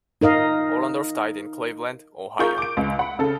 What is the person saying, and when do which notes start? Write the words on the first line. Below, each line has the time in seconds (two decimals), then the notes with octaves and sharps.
Ollendorff died in Cleveland, Ohio.
0.21 D#4 A#4 D#5 F5
2.39 F4 G#4 A#4 C#6 G6
2.58 D6 D7
2.77 C#2
2.99 F#5 B5
3.19 C#3 A4